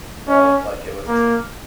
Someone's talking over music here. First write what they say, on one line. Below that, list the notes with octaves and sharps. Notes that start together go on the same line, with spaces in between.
You know? Like, it was
C#4
A#3